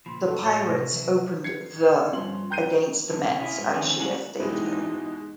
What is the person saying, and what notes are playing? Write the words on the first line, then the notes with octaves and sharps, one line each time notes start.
The Pirates opened the against the Mets at Shea Stadium.
C#2 A#2 F3 B5 C6
F#4 A4
A2 C#5 C6 A6 C#7
C3 A#6
E3 F#3 B4 E5
G#6 C7 C#7
G2 F3 C#4 C6 F#7
G5 A#5 G6 C7 D#7
F#2 D3
B2 C#4
E4 F4 G#4
G#2 F#3
D3 D#3 F3 C4 C#4 G#4
G#3 A#3 C#4 D#4 F#5
E2 G#2 B2 G#3 D#4 E4 G4